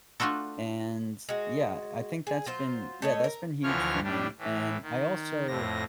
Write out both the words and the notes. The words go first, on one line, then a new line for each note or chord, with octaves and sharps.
and yeah, I think that's been yeah, that's been huge for me. And I also
A3 D4 F4 F#4 A4
G#3 F#4
G#4
F#3 F4 C5
A3 C#5 D#5
A#4
D2 E3 F3 C#5 F6
A2 G3 D4
A2 E3
D#3
F2 A2 A#6